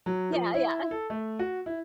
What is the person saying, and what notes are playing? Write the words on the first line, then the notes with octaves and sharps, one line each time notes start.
Yeah, yeah.
F#3
F3
E4
A4
A3
F#4
E4